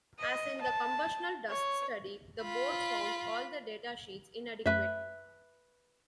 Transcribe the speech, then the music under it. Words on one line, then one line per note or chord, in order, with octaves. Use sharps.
As in the combustible dust study, the board found all the data sheets inadequate.
D#5
A5
C#5
F4 B5
F#2 A3 B4 E5